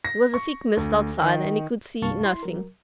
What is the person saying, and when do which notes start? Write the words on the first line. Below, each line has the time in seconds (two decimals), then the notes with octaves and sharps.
There was a thick mist outside and he could see nothing.
0.05 A#6
0.34 C#6
0.77 D2
1.22 D#3
2.02 C2 G2 F5 A5 C#6
2.24 E4 C6
2.43 F#3 A#4